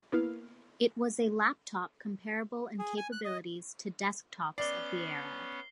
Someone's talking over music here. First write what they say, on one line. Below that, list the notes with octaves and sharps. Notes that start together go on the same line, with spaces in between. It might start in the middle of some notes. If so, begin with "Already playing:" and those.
It was a laptop comparable in capabilities to desktops of the era.
A#3 B3 E4 F5
G#4
G#5
F#6
D#5
B3 C#4 D5 C7 G7